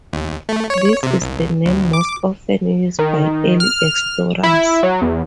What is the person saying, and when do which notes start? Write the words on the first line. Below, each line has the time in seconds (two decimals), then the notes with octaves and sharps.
This is the name most often used by early explorers.
0.13 D#2
0.49 A3
0.70 C#5
1.03 C3
1.21 C2
1.66 D2
1.93 D6
2.99 D#3
3.60 F6
4.43 E4
4.83 F#3
5.02 E2